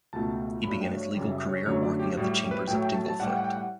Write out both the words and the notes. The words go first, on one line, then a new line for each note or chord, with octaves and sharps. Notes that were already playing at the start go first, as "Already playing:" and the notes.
He began his legal career working at the chambers of Dingle Foot.
C#2 B2 A3 A5
G2 F#3 A3 B5
G5
C#5
F#2 C#3 G3
E5
C#5
F#2 D3 F#3 A3 C#5
D5
G4
A2 G3 F#4
G4
B4
A2 F#3 A3 G5
G5
A5
A5
A2 G3 F#5
G5
F#5
G5
F#5